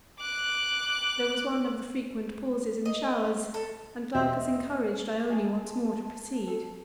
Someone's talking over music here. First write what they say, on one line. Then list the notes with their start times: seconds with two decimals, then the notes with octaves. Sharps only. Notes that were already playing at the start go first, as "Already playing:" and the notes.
There was one of the frequent pauses in the showers, and Glaucus encouraged Ione once more to proceed.
0.20 D6 F#6
2.86 D#5
3.54 A4
4.15 E2 B2 F4 G4 D#5 E5
5.29 G#4 D#5 A5
6.48 A4